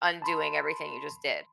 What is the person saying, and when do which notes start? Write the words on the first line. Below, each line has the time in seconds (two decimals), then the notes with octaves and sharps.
undoing everything you just did.
0.22 A5 B5 C6